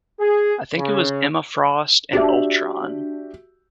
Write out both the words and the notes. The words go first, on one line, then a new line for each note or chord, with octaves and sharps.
I think it was Emma Frost and Ultron.
G#4
C#3
D4 F#4 G4 E5